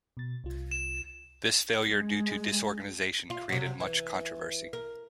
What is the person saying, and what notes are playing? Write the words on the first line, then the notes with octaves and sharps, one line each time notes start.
This failure due to disorganization created much controversy.
B2 A6
C2 F4
E7
G#3
F4
C3 F#3
E3
A#4